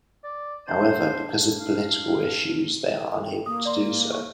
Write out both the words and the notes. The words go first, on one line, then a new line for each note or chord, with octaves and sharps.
However, because of political issues, they are unable to do so.
D5
D4 C5 A5
F5
G5
A#3 D#6
D5 C6
C#6